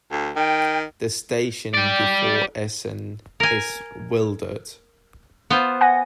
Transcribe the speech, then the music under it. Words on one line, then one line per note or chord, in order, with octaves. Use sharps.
The station before Essen is Wildert.
D2
D#3 G5
G4 D5
A#4 G#5
B3 F4 C5
F#5 G#5 A#6